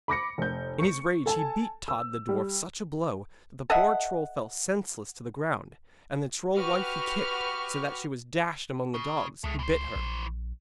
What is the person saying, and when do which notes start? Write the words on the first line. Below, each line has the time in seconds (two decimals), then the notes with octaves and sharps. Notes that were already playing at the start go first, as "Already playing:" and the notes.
In his rage he beat Tod the dwarf such a blow, that the poor troll fell senseless to the ground; and the troll-wife he kicked, so that she was dashed among the dogs, who bit her.
0.08 B5 D6 A#6 C#7
0.38 F1 G6
0.79 C#6 C#7
1.26 A4 G#5 A5
1.88 E6
2.29 G3
3.70 A4 D#5 E5 F#5
6.56 F#4 G4 B4 C#6 F6
8.94 C#3
9.44 C#2 G#3 A3
9.59 E3 C5
9.96 A#1